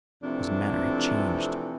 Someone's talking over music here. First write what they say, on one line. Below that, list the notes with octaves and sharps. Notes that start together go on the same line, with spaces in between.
His manner had changed.
F2 C3 E3 A3 C4 D4